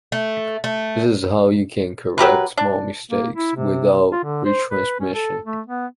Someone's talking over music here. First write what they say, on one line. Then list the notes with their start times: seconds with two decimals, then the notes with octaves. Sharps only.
That is how you can correct small mistakes, without retransmission.
0.12 A3
0.64 A3
2.18 F#3 G4 A#4 B4
2.57 D4
3.11 A#3
3.34 E4
3.55 C3
4.12 F4
4.24 D3
4.45 C5
4.71 B4
5.00 C#4
5.14 A4
5.45 A3
5.67 B3